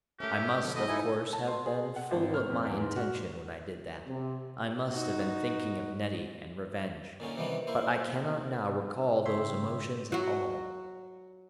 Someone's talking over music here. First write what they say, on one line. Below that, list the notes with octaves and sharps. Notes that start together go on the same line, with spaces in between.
I must, of course, have been full of my intention when I did that, I must have been thinking of Nettie and revenge, but I cannot now recall those emotions at all.
A3 C#4 G4 A#4 E5 F6
D3 F#3 A4
E3 B3 F#4 A4 D#5 B5
G#2 D#4 E4 A4 G#5
A5
C6
G#4
F#5
G#1
F6
F2
E2
G#2
F#4
C3
D#4 F#4
A#2 D3 C#4 D#4
C3 D#3 E3 G3 B3 D#4
A#3 E4 C5
G#2 C#3 C#5 E5 G5 C6
F#3 F#4